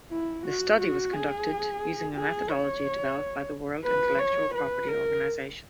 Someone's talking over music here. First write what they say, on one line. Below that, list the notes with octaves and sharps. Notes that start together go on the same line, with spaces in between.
The study was conducted using a methodology developed by the World Intellectual Property Organization.
E4
F#4
F#4
G#4
G#4
C#5
B4
C#5
B4
A#4